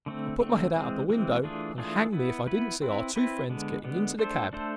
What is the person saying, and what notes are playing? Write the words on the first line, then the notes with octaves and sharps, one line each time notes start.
I put my head out of the window, and, hang me if I didn't see our two friends getting into the cab.
D3 A3 C4
D3 A3 C4
E3 G#3 C4
E3 G#3 C4
E3 A3 D4 F4 G#4
E3 A3 D4 F4 G#4
B3 E4 B4
B3 E4 B4
C4 E4 B4
C4 E4 B4
D3 G#3 B3
D3 G#3 B3
A3 D4 A4 C5
A3 D4 A4 C5